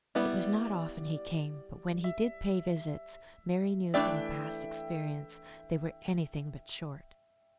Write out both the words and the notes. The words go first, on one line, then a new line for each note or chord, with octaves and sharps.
It was not often he came, but when he did pay visits, Mary knew from past experience they were any thing but short.
G3 B3 E4 D5
E5
E3 A3 D4 A4 D5 E5 G5